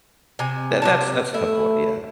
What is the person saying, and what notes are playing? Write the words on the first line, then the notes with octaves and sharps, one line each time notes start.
That that's that's tough to wa yeah.
C3 G#5
C3 F#3 A5
A3 E4